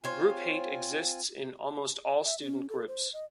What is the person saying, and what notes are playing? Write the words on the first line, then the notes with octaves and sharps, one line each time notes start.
Group hate exists in almost all student groups.
C4 F4 C5 C#5 F5 G#5
E5
C#4
A4
C5
D#5